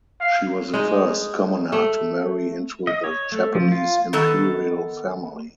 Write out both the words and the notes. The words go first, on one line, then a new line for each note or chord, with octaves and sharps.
She was the first commoner to marry into the Japanese Imperial Family.
F5
G#3 D#4
A3
D#5
C#5
A3
F3
F4
D#3 B3 A4